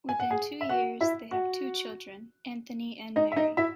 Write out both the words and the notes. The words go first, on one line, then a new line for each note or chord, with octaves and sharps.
Within two years, they have two children, Anthony and Mary.
G#5
F#5
G#4 G#5
E5
F#4 F#5
E4 E5
F#4 F#5
D#4 D#5
E5
D#4 D#5
E4 E5